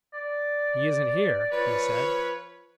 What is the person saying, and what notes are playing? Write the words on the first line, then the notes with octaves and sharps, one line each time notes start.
"He isn't here," he said.
D5
F3 B4 C#5